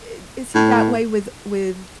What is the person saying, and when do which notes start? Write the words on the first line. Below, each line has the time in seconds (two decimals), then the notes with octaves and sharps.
i is he that way with with
0.55 A2